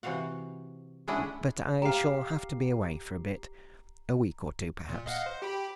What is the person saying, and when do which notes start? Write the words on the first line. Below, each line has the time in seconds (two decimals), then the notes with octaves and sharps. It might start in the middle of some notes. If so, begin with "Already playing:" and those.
"But--I shall have to be away for a bit--week or two, perhaps."
0.03 C3 E3 F#4 F5 F#5
1.08 G#3 C#4 D4 E4 D#5 F#5
1.82 G4 F5 A#5 C7
4.89 A#2
5.06 D#5 F5 F#5
5.26 C5
5.42 G4 G5 B5